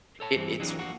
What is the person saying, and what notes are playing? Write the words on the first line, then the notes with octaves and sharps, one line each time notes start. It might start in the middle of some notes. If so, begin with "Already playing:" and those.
it it's
A4 C#5 A5
G2 E3 C4
E3 F#3 A#3 C4 D4 D#4
F2 A#3 F#4